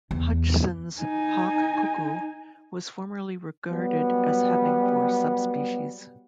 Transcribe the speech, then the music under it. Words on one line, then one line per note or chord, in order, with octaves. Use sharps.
Hodgson's hawk-cuckoo was formerly regarded as having four subspecies.
E2
D#4 G#5
F#3 G3 B3